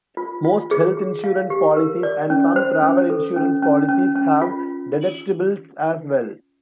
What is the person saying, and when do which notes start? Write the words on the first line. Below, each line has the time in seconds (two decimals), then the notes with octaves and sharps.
Most health insurance policies and some travel insurance policies have deductibles as well.
0.17 F4
0.45 F4
0.71 G#4
0.97 G#4
1.24 F5
1.50 G4
1.77 A#4
2.03 D5
2.30 C#4
2.56 C5
2.82 C#4
3.10 A4
3.36 C#4
3.62 C#4
3.88 C#4
4.15 C#4
4.42 F4